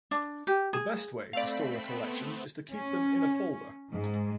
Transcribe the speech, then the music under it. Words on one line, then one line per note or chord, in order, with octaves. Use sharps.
The best way to store a collection is to keep them in a folder.
D4
G4
G#4
A3 C4 D5 F5 B5
A3 B3 C4
C#4
G#2